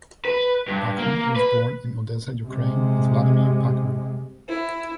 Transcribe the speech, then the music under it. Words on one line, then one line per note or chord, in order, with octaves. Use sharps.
Pachmann was born in Odessa, Ukraine as Vladimir Pachmann.
B4
G2
A#3
B4
C3 G#3
E4